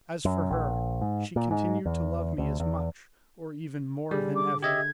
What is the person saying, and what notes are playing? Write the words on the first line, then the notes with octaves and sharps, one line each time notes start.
As for her, she continued to love me as much, or even more than ever.
F#2
A#1
G#2
A#2
G#2
E2
D2
E2
D3 G3 G#4
D6
G4 D#5 E5 G#6